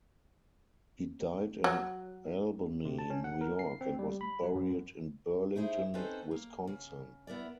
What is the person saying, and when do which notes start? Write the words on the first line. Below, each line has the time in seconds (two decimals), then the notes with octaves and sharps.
He died in Albany, New York and was buried in Burlington, Wisconsin.
1.64 F#3
2.85 C3
2.99 A5
3.10 C#4
3.24 F#5
3.41 A#4
3.59 C7
3.81 C4
3.99 G3
4.21 B5
4.43 F#3
4.55 F#2
5.56 D#4 E4 G#4 C5
5.94 C4 C#4 D#4 A4 B4 C5
6.31 A#3
6.67 C#3
7.27 B3 E4 A#4 D5